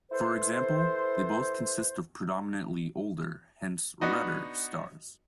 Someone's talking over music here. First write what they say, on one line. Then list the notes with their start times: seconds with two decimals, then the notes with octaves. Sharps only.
For example, they both consist of predominately older, hence redder, stars.
0.11 E4 A4 B4 C5
4.01 B3 D4 D#4 F#4 B4 D#5